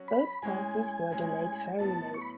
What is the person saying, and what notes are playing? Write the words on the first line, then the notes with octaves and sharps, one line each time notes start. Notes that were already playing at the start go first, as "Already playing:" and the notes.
Both parties were delayed very late.
Already playing: F#3 C#4 F#4
B5
A2 G#3 C#4 G#5
A2 G#3 C#4
A2 F#3 B3 A5
C#6
B5